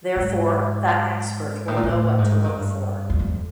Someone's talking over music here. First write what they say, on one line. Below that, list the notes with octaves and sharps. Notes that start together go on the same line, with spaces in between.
Therefore, that expert will know what to look for.
G#2
A2
A#2
A2
G#2
G2
E2
F2